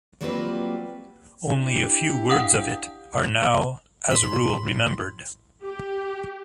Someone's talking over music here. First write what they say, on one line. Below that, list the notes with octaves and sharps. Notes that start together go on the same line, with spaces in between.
Only a few words of it are now, as a rule, remembered.
F#3 G3 A#3 C4 F4 B4
D4 E4 G4
F5 F#5 D#6
A2 B5 C6
G4